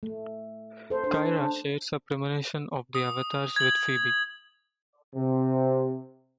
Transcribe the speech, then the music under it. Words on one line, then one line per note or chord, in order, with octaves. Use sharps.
Kyra shares her premonition of the Avatars with Phoebe.
A3
A4 C5
D4 C5
D#6
G#6 F#7
C3